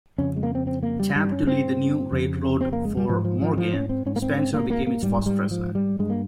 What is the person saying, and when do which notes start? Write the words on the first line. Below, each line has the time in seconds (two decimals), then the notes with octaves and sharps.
Tapped to lead the new railroad for Morgan, Spencer became its first president.
0.18 F2 C#3 C#4
0.36 G#3
0.43 A#3
0.55 C4
0.67 C4
0.83 A#3
1.00 G3
1.16 G2 G3
1.32 C#4
1.47 C4
2.12 F2 C#3
2.61 C4
2.73 A#3
2.85 G#3
2.97 G3
3.09 G#2 F3
3.25 F3
3.42 F3
3.58 F3
3.73 C#4
3.89 C4
4.06 G#2 C#4
4.16 A#3
4.22 C4
4.38 C4
4.54 A#3
4.70 A#3
4.87 A#3
5.03 G#2 G3
5.26 G3
5.51 F3
5.75 G3
5.99 G2 G#3
6.10 A#3